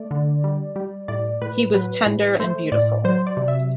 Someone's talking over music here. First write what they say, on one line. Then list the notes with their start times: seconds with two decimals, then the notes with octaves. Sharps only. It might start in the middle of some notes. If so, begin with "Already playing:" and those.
He was tender and beautiful.
Already playing: A3 D5
0.11 D3
0.44 G3
0.76 G3
1.08 A2 D5
1.42 A2 B4
1.74 F#3 B4
2.06 A2
2.40 A3 C5
2.72 A2 D5
3.04 F#3 C5
3.27 D5
3.37 C3
3.48 E5